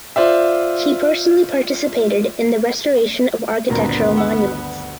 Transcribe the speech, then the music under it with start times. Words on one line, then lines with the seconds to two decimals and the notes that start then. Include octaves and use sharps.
He personally participated in the restoration of architectural monuments.
0.16 F4 C5 D5 E5
3.70 D2 G2 A#2 D#3 B3 C4 A#4
4.17 F#5 E6